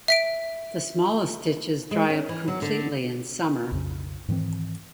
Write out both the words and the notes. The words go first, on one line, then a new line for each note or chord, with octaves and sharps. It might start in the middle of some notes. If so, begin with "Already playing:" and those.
The smallest ditches dry up completely in summer.
E5 B6 D7
G#3
C#4
E3
F#3
D3
B1 F2 C#3
G#2 D#3 E3 C4